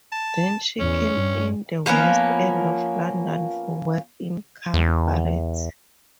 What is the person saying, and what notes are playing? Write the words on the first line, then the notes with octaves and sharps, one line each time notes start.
Then she came in the West End of London for work in cabaret.
A5
E2 C#4
G2
F3 A#3 B3 C#4
E2